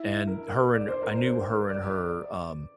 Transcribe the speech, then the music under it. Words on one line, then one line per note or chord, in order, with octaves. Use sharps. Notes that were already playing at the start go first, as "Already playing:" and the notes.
and her and I knew her and her, um,
Already playing: E4
A#4
D5
C5
A#4
C5
D5